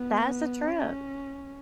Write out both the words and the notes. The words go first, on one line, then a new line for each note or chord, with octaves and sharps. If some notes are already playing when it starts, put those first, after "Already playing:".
That's a trip.
Already playing: B3
C#4